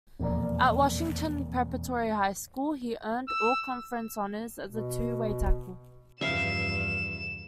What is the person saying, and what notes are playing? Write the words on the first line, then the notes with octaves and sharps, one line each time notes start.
At Washington Preparatory High School he earned All-Conference honors as a two-way tackle.
E1 F2 A#2 A#3 D5 A#5
E6
B2
E2 G2 C#3 F3 E5 F5 E7